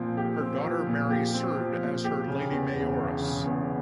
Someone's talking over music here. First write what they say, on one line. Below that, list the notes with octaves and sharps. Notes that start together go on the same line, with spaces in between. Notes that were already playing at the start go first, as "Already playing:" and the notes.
Her daughter Mary served as her Lady Mayoress.
Already playing: A#2 F3 C4
G4
C4
F3
A#2
G4
C4
F3
A#2
G4
C#3
E2
E1
E1
C#3
E2